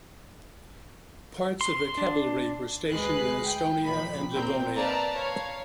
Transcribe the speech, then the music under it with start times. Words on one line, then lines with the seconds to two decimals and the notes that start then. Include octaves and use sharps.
Parts of the cavalry were stationed in Estonia and Livonia.
1.61 C6
1.97 D4
2.90 D2 G#3 B4 F#6 C7
3.43 G5
3.81 A#2 F3 B5
4.32 A#2 C4 A#4 G5 G6
4.74 A#4 B4 D5 F5 A5 A#5
5.14 C#5 F5